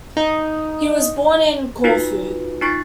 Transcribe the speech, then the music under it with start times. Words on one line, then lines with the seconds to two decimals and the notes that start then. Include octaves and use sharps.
He was born in Corfu.
0.17 D#4
1.84 D#4 F4 F#4 B4 A#6
2.61 D#4 F4 C#6 A6 C7